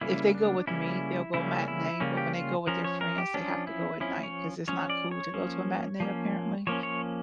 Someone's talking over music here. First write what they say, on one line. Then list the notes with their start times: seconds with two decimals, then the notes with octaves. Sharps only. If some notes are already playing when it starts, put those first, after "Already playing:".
if they go with me they'll go matinee but when they go with their friends they have to go at night 'cause it's not cool to go to a matinee apparently.
0.01 C#3 G3 A#3 C#4 E4
0.34 D4
0.67 C#3 G3 A#3 C#4 E4
1.34 C#3 G3 A#3 C#4 E4
1.68 E4
2.00 C#3 G3 A#3 C#4
2.17 G4
2.35 F4
2.67 F3 C#4 A#4
2.84 C#5
3.01 A#4
3.18 G4
3.34 F3 C#4 D4
3.67 E4
4.00 F3 C#4 E4
4.23 C#5
4.68 F3 C#4 C#5
4.90 D5
5.11 C#5
5.34 F3 A#3 C#4
6.00 F3 A#3 C#4
6.67 F3 A#3 C#4 C#5
6.83 C#5